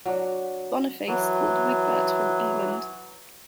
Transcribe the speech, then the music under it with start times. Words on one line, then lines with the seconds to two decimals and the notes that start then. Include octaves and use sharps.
Boniface called Wigbert from England.
0.06 F#3 D4
1.07 E3 F#3